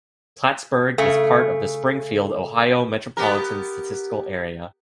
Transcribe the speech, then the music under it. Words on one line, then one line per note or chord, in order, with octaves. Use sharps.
Plattsburgh is part of the Springfield, Ohio Metropolitan Statistical Area.
C#3 A3
B3 G4 A#4